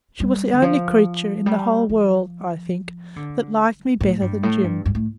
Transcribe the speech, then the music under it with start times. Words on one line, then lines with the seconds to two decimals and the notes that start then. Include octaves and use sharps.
She was the only creature in the whole world, I think, that liked me better than Jim.
0.20 G3
0.53 D3
0.62 F3
1.46 G3
1.89 F3
3.16 D3
4.01 A2
4.22 G2
4.43 A2
4.64 G2
4.85 G2
4.95 A2